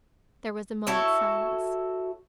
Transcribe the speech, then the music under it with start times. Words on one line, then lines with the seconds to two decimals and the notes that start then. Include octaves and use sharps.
There was a moment's silence.
0.87 E4 F#4 A4 C#5